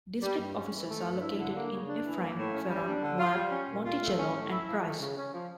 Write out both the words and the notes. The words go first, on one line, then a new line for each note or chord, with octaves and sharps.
District offices are located in Ephraim, Ferron, Moab, Monticello, and Price.
G3
G2
C#4
E3
A3
G2
E4
D3
A#3
C#3
D4
E3
A#3
A2
C#4
G3
D4
D3
F4
G3
C#4
A#2
F4
A3
C#4
A2
E4
F3
A3
C#3
C#4
F3